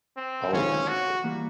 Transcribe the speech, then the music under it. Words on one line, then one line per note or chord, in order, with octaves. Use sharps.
Oh, definitely.
C4
D#3 G#3 C4 C#4 F4
F#4
E3 G3 A#3